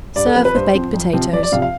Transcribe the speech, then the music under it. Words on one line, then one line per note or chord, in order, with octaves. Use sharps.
Serve with baked potatoes.
G2 D5
A4
F3 C4 B4
B4
G2 C5
F3 C4
F2
C3 F3 C4
F2 D5
D5
C3 F3 C4 F5
F5